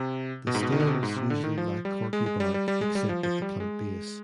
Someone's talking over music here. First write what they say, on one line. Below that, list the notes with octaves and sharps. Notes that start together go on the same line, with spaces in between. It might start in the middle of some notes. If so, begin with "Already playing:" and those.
The stems usually lack corky bark except at the plant base.
Already playing: C3
B2
G#2
B2
D#3
D3
C3
B2
G#2
C3
D3
D#3
F3
G3
G#3
G#3
G3
G3
G3
G#3
G3
F3
F3
G3
G#3